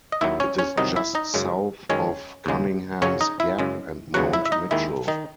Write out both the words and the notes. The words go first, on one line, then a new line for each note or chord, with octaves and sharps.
It is just south of Cunninghams Gap and Mount Mitchell.
D#5
D#2 D#3 F#3 E4 E5
C#4 C#5
C#4 C#5
C2 C3 D#3 F#3 D#4 D#5
E4 E5
D#4 D#5
F#2 C#3 G#3
F#2 D#3 G#3 C#4 C#5
D#2 C#3 G#3
F#2 C#3 F#3 C#4 C#5
D#4 D#5
E4 E5
F#2 C#3 G#3
D#2 C#3 F#3 F#4 F#5
E4 E5
E5
D#4 D#5
D#2 D#3 G#3 E4 E5
D#3 D#4